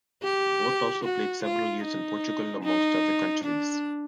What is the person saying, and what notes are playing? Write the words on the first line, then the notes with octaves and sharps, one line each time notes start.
Both also played several years in Portugal, amongst other countries.
G4
F#4
F4
D#4
D#4
D4